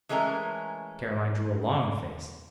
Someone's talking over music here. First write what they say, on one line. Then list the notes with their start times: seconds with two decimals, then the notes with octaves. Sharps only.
Caroline drew a long face.
0.09 E3 G#3 A3 C#4 A#4